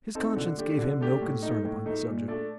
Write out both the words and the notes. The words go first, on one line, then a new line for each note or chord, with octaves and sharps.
His conscience gave him no concern upon the subject.
C4 D#4 A4
D3
A3 D4 G4
D3
A3 D4 G4
A2
A3 D#4
A2
A3 D#4
A#2
A3 D4 A4 D5